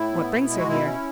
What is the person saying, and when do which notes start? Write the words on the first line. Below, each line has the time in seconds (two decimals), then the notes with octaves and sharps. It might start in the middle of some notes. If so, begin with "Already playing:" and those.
"What brings her here?"
Already playing: A2 E4
0.12 B3
0.31 B2
0.49 G#3
0.58 F#4
0.67 B2 E4
0.85 C#4